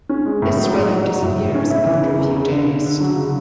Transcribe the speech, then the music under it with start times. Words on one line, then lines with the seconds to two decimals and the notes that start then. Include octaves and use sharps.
This swelling disappears after a few days.
0.09 C#4
0.26 G#3
0.42 A2
0.57 F#3
0.74 G#2
0.91 F#3
1.06 F#3
1.22 A2
1.39 A2
1.55 C#4
1.70 E4
1.86 E3
2.02 C#3
2.19 E2
2.36 C#3
2.52 D3
2.68 D3
2.84 D3
3.00 F#3
3.16 C#3